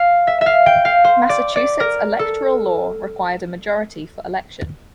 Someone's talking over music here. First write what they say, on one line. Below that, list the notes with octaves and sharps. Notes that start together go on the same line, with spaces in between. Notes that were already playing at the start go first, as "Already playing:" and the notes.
Massachusetts' electoral law required a majority for election.
Already playing: F5
E5
E5
F5
G5
F5
C5
D5
D5
A#4
A4